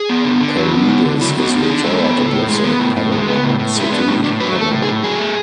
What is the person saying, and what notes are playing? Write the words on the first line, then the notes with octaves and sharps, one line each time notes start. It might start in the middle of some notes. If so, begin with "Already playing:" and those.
Paredes is retired and lives in Panama City, Panama.
Already playing: G#4
B3
D3
D3
F#3
B3
D3
D3
F#3 E4
B3
F#4
D3
G#4
D3
G#3 A4
B3
A2
A2
G#3
B3
A2
A2
G#3
B3
A2
A2
G#3 E4
B3 D4
A2 C#4
A2 D4
F#3 B4
A3
A4
A2
G#4
A2
F#3 G#4
A3